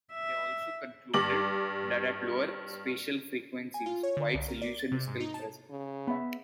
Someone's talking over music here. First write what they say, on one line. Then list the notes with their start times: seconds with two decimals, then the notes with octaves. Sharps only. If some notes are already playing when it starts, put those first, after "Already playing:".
They also concluded that at lower spatial frequencies White's illusion is still present.
0.13 E5
1.14 G2 D6 F#7
3.74 G#5
3.86 F4
4.03 C#5
4.17 D3
4.34 C2
4.48 A#4
4.62 D5
4.79 A6
4.92 C3
5.07 G#2
5.20 D#4
5.34 A5
5.70 C#3
6.07 B3 E5